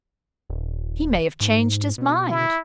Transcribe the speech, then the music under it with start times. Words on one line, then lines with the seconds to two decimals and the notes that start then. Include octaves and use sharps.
"He may have changed his mind."
0.50 D#1
1.41 G#2
1.98 B2
2.31 E4